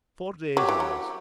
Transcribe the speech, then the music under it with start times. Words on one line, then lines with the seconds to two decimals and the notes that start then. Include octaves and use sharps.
"Four days," he answered.
0.57 F#3 G4
0.69 E3
0.80 F#3